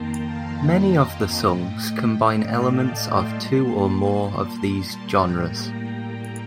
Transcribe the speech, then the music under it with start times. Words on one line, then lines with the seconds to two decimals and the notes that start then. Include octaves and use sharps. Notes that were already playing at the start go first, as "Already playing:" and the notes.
Many of the songs combine elements of two or more of these genres.
Already playing: F2 D#3 A#3 G5 A5 A#5 C6
0.24 F5 A5
0.54 D#5 G5
1.47 A2 A3
2.39 D5 F5
2.70 F5 A5
3.01 A5 C6
3.32 A#2 G3 A#3 A5 C6
5.16 A2 G3 A#3 G5 A#5